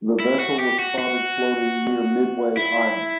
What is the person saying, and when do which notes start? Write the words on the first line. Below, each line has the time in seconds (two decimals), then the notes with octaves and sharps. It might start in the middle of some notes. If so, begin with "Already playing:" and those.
The vessel was spotted floating near Midway Island.
0.20 E4
0.40 F#4
0.59 G4
0.79 F#4
0.98 F#4
2.57 E4